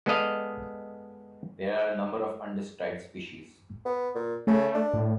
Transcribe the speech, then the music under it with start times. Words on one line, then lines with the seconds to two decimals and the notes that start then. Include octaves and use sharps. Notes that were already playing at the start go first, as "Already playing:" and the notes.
There are a number of undescribed species.
0.06 G#3 B3 A4 D5 D#5 F5
3.85 B3
4.15 A#2
4.47 C#3 A3
4.74 D4
4.94 A2